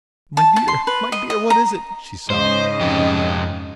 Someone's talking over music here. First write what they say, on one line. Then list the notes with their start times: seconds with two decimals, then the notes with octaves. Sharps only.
"My dear, my dear, what is it?" she sobbed.
0.37 A5
0.56 A5
0.68 C6
0.87 B4
1.12 D#5
1.30 D#5
1.50 A#5
2.30 G#2 C#3 C5 D#5
2.81 F2 G4